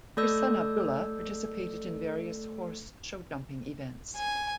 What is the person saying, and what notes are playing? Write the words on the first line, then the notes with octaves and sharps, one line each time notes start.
His son Abdullah participated in various horse showjumping events.
A3 A4 D5 E6 G6
G#5